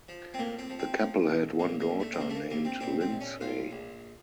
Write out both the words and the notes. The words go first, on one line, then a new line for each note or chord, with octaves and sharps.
The couple had one daughter, named Lindsay.
F3
C4
A2 A#3
C4
F3
C4
F3
A#1
A#1 A#3
A#3
A#1
A3
C4
A#1 A#3
A3
A#3
A#1 A#3
C4
A#2 C4
C4
A#1
C#4
A2 F4
A#1